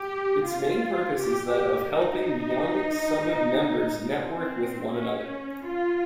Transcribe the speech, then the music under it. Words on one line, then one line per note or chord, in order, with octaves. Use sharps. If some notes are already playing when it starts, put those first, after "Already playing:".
Its main purpose is that of helping young Subud members network with one another.
Already playing: G4
F4
G4
D#4
C4
C#4
F4